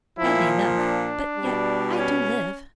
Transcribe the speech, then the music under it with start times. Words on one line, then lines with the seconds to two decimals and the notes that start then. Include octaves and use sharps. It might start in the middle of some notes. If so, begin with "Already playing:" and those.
"Badly enough; but yet I do live."
0.18 A#2 F3 E4
0.77 D4
1.37 G3
1.43 B2
1.98 C#4